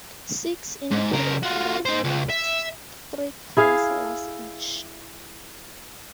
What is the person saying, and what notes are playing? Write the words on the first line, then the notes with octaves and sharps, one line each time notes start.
Six, indicated below, elect three councillors each.
G#2
C#3 A#4
F4 F#4
D#4 C5
C#2
E5
E4 G#4 F5